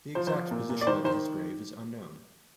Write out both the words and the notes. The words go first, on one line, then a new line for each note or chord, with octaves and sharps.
The exact position of his grave is unknown.
F3 C5
C5
F3
A#2
A#2
D5
D#3 C5
D#3 C5